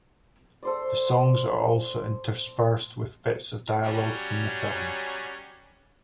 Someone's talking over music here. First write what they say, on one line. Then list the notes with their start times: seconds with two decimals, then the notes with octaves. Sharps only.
The songs are also interspersed with bits of dialogue from the film.
0.63 A4 C5 D5
3.84 F#3 G3 C#4